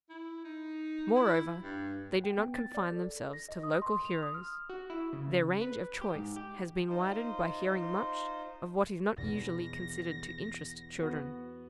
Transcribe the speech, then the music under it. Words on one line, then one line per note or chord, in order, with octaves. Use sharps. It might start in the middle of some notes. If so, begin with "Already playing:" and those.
Moreover, they do not confine themselves to local heroes; their range of choice has been widened by hearing much of what is not usually considered to interest children.
E4
D#4
E4
G2
G5
B3
A6
D5
A4
A#6
D#5
D#6
C6
F7
D#6
F6
F#4
E4
C#3
B4
G4
G#2
G4
D#4 F4 C5
E2 B2 A#6
B3 F#4